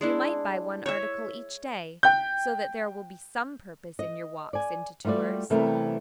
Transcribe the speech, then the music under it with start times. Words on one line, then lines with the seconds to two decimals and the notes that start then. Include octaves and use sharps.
You might buy one article each day, so that there will be some purpose in your walks into Tours.
0.01 G#3 D4 E4
0.86 C#5 E5
2.03 G5 G6
3.99 D#5
4.53 D5 G#5
5.05 G3 A3 F4 F#4 D5
5.50 C3 E3 G3 A3 B3 A#4